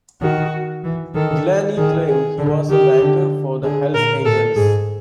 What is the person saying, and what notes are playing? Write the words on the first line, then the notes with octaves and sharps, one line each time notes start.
Gillani claimed he was a banker for the Hells Angels.
D#3 F#4
E3
D#3 A4
D#3 G#4
G#4
D3
D#3 G4
D3
D3 G#4
A#2 A#4
A2 A4
G#2 G#4